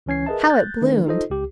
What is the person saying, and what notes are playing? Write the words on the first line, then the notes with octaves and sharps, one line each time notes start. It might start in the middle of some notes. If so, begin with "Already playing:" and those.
How it bloomed!
C#2 E3 C#4 G#6 C7
G#4 A#4 B4 D#5 E5 A5
F#6 G6 A6
D#3 A3 D4 B4
D#4 F4 A4 C5 D#5
C#2 G4